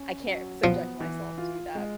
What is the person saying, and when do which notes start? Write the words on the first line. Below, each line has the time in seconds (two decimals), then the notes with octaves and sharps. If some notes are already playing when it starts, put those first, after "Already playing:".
I can't subject myself to that
Already playing: C#4
0.27 F#3
0.64 F3 B3
1.00 E3
1.38 F4
1.75 G#3